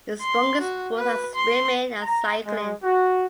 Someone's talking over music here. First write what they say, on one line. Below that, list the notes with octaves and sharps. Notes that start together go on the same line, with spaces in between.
Its strongest sports are swimming and cycling.
C6
F#4
B4
C6
A#5
G#3
F#4